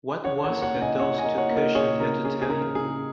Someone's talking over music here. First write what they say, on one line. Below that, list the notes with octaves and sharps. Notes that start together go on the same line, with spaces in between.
What was it that those two cushions had to tell you?
C#4 C#5 F#5
C#5 F#5
A#3
C#5 F#5
C#3
D#5 G#5
C#4 C#5 F#5
D#5 G#5
A#3
C#5 F#5
A#3
A#4 D#5
C#3 G#4 C#5
C#3 A#4
C#4 G#4
G#4
C#3 A#4
C#3 G#4